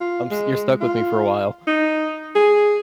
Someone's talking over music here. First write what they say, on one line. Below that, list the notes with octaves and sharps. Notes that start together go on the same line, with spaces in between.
I'm s you're stuck with me for a while."
F4
G#3
F4
D#4
G#4